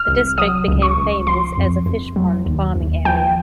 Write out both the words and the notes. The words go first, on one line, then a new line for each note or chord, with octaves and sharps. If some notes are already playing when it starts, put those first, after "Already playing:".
The district became famous as a fish pond farming area.
Already playing: F6
C2
F#3 D#6
C#2
C#6
C#2
F3 C6
F2
F2
F#3
D#2
D#2
F3 G5